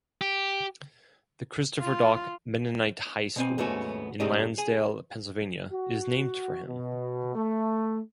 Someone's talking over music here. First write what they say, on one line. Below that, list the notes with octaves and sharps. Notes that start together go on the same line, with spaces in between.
The Christopher Dock Mennonite High School, in Lansdale, Pennsylvania, is named for him.
G4
F4
B2 C4 G#5
D#2 G#2 A3 B3 C#4 F#4
B1 G2 C#3 A3 G4 D#5
G#4 G#5
F#4
B2
A3